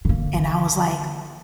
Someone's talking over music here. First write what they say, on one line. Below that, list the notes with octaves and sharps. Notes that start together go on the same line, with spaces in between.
And I was like,
D3 A#3